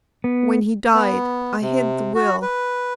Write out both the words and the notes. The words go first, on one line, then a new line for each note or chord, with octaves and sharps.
When he died--I hid the will.
B3
B3
C3
F#4
B4